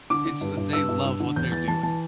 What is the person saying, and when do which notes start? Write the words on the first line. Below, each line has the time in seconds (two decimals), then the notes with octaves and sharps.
It's they love what they're doing.
0.10 D3 D6
0.25 D3
0.41 G2
0.57 G2
0.73 G2 E6
0.89 G2
1.05 G2
1.20 D3
1.36 E2 G6
1.52 E3 A6
1.68 E3 A5
1.83 E3 A5